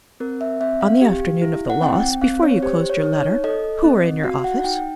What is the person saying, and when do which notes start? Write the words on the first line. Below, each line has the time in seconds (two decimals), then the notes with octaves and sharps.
"On the afternoon of the loss, before you closed your letter, who were in your office?"
0.20 C4 A#4
0.41 E5
0.61 C4 E5
0.81 F5
1.01 G4
1.42 E4
1.70 F#5
1.82 C4 G5
2.22 C4 F5
2.43 C#5
2.62 G4 C5
2.89 C#5
3.04 D#4
3.16 C#5
3.44 A4 D#5
3.84 C4
4.24 F#4 F5
4.44 F#5
4.64 D#4 G5